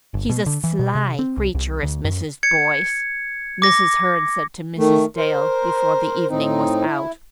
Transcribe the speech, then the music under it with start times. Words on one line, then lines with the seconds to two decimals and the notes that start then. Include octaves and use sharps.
"She's a sly creature, is Mrs. Boyce," Mrs. Hearn said to Mrs. Dale, before the evening was out.
0.14 G1
0.29 B2
0.46 D3
0.64 E3
0.79 B2
0.95 C3
1.19 C4
1.37 C2
1.55 C2
1.83 D2
2.05 F#2
2.43 G#6 C#7
3.62 D6 A#6
4.78 D#3 A3
5.17 A#4 C5
6.30 A2 C4 D#4
6.85 E4